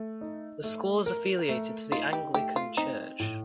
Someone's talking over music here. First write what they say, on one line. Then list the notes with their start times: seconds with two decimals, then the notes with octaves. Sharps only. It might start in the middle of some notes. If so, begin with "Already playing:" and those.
The school is affiliated to the Anglican church.
Already playing: A3
0.21 D#4
0.64 A3
1.06 A#4
1.49 A3
1.92 D#4 F4
2.13 G4
2.34 A3 G4
2.56 F4
2.77 C4 D#4
3.19 A2